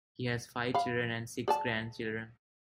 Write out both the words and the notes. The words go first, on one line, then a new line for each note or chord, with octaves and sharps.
He has five children and six grandchildren.
F5 B5
G#4 D5 A5